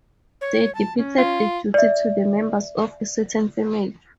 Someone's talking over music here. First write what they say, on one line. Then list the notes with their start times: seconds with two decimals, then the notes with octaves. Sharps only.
They deputed the duty to the members of a certain family.
0.41 C#5
0.75 A5
0.97 C#4
1.18 F4
1.74 D5 E5